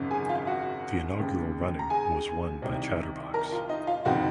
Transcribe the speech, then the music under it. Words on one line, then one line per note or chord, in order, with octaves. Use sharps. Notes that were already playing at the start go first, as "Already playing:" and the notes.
The inaugural running was won by Chatterbox.
Already playing: G#1 F#2 C#3
G#4 G#5
F4 F5
F#4 F#5
D#2 C#3
A#5
G#4 G#5
C2 C3 D#3
A#4 A#5
F4 F5
D#4 D#5
F4 F5
F#1 F2 D#3 F#4 F#5